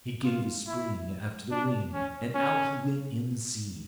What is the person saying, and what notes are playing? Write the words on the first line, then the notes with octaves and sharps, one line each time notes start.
He gave a spring after the ring, and out he went in the sea.
F4
E4
D4
C#4
C#4